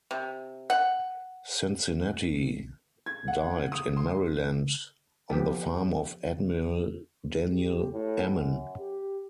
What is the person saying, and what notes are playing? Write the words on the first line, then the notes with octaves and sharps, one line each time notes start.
Cincinnati died in Maryland on the farm of Admiral Daniel Ammen.
C3
F#5
G#6
F#5
D#6
C6
F3 B3 G4
G4
A2
F#2
G4